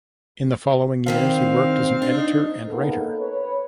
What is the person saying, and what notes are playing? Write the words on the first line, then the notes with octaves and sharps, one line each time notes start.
In the following years he worked as an editor and writer.
G2 D#3 C4 F5 A5
D4
D#4
C#3 A#3 B3 D#4 A4
B4 C#5